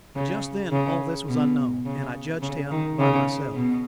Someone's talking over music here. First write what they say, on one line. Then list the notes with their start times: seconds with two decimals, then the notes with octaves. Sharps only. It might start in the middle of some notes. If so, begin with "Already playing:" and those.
But just then all this was unknown, and I judged him by myself.
0.15 C#3
0.72 C#3
1.29 B2
1.85 C#3
2.42 C#3
2.71 D#3
2.99 C#3
3.55 B2